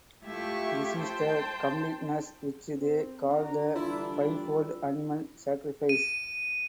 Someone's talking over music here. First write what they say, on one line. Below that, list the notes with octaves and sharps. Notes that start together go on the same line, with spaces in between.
This is the completeness which they call the fivefold animal sacrifice.
A3 E4 F4 G4 E5 C#6
C5 G5 A5 C6
C4
D3 F#4 D5 A#5
E3 G3 D4 E4 F4
D#7